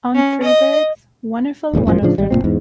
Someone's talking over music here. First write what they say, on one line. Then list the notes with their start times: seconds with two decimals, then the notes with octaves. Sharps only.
On Freberg's Wun'erful, Wun'erful!
0.15 C#4
0.43 D#5
1.73 D#1 A1 E2 A2
1.86 G#1 F#2 A#2 F3
2.02 A2 C#3 F3 D4
2.18 G#1 G3
2.31 F#1 F#2 A#2 C4
2.44 E2 G#2